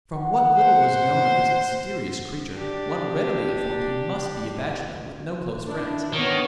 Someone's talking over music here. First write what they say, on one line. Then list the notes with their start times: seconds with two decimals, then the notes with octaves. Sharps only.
From what little was known of this mysterious creature, one readily inferred he must be a bachelor, with no close friends.
0.15 F#5
0.57 C5
2.54 D4 G4
5.67 D4 E4
6.14 D#3 B3 C#5